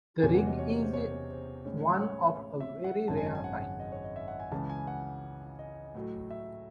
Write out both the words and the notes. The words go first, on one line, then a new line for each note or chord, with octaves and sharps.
The rig is one of a very rare kind.
E1 E2 C3 F#3 C#4 G#5
F#5
D#5
C#5
C#5
C5
C#5
C5
A2 G#3 C#4
C#5
E5
F#5
G#1 F#2 C#3 G#3 C#4 A5
G#5
A5
G#5
F#5
F#5
D#5
C#5
D#5
E5
F#5
G#5
C#2 C#3 E3 A5
G#5
F#5
D#5
A2 F#3 A3
E5